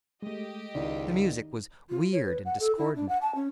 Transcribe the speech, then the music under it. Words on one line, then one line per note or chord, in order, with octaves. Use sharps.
The music was weird and discordant.
G#3 A3 G4 D#5
C#2 D#3 E4 D5
F4
C#5
B4
F#5
A4
E4
D4
F#5
A5
C#4